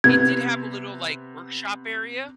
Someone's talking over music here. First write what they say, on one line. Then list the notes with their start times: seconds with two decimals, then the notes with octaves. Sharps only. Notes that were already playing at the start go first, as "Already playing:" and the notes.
It did have a little, like, workshop area
0.04 C3 B3 G#6